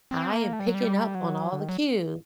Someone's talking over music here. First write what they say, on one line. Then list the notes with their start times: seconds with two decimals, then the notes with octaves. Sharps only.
I am picking up on all the cue.
0.11 C4
0.32 A#3
0.53 A3
0.59 G3
0.67 F#3
0.74 G3
1.15 F#3
1.52 D3
1.60 D#3
1.69 F#3